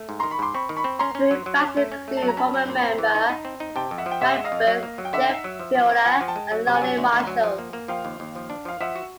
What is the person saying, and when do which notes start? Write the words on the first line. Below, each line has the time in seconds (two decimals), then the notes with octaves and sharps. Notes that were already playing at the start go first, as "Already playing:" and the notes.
Touring bassists include former member Mike Berg, Jeff Fielder, and Lonnie Marshall.
Already playing: A3
0.09 G#2
0.19 D#3 A#5 C6
0.31 B5 C#6
0.39 G#2 C6 D6
0.54 C4 B5 C#6
0.69 D#3
0.76 B5 C#6
0.84 C4
0.99 C#4 A#5 C6
1.15 C#4
1.31 F#3
1.46 F#3
1.61 C#4
1.77 A3
1.92 C#4
2.08 A3
2.17 A5
2.23 F#3
2.28 A#5
2.37 C#4 A5 B5
2.54 F#3
2.68 A#2
2.83 C4
2.98 E3
3.15 D#4
3.30 D#4
3.45 C4
3.60 D#4
3.75 C3 G5 A5
3.91 F2
3.98 E5 F#5
4.06 F3
4.11 G5
4.21 C3 E5 F#5
4.36 G#3
4.44 D#5 F5
4.52 F2
4.67 F#3
4.83 A#3
4.98 F#3
5.05 G5
5.13 D3 E5 F#5
5.28 D#4
5.44 F#3
5.59 F3
5.75 F3
5.90 C4
6.05 F3 F#5 G#5
6.21 F3
6.28 G5 A5
6.36 G#3
6.52 F#3
6.67 C3
6.74 F#5 G#5
6.82 F#3
6.97 D2
7.13 D2
7.27 F#3
7.44 F3
7.58 A#3
7.73 A#3
7.88 F3 F5 G5
8.05 D#2
8.20 D#2
8.35 F3
8.50 D4
8.65 F3 F5
8.81 F3 E5 F#5
8.96 F#4